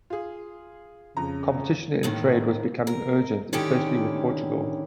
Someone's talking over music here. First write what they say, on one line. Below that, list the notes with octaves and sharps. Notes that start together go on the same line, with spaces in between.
Competition in trade was becoming urgent, especially with Portugal.
F4 G#4
F2 C#3 A#5
D#2 A2 D#3
A#4
D3 D#3 C#4 E4 G4